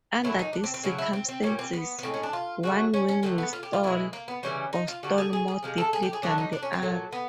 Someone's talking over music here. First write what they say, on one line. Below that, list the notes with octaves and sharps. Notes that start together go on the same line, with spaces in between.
Under these circumstances, one wing will stall, or stall more deeply than the other.
A#2 F#3 A3 E4
D#4
D4
C4
C4
C#3 F#3 A3 E4
E4
C4
C4
A#2 G3 C#4
C4
B3
B3
A2 F3 G#3 C4
C#4
D4
F4
C#3 F#3 A3 F#4
C#4
C#4
D3 F#3 A3 C4
B3
F4
G4
F4
B2 G#3 E4
A#3
B3
C#3 E3 G3 C#4
D#4
F4
D3 G3 F#4
G#4
G#4
G#4
C3 F3 G#3
A4
G#4
G4
G#4
D3 F#3 A3 D4
D#4
D4
C#4
C4
A#2 F#3 A3
B3